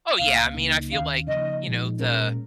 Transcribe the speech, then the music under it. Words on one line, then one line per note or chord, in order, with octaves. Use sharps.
Oh, yeah, I mean, I feel like, you know, the
C#2 C#3 A#3 F5
C#2 C#3 A#3 D#4
D#2 D#3 C#4 F5
C#3 F3 A#3 D#4 D#5
A#2 F3 G#3 D#4
A#2 G#3 C#4 A#4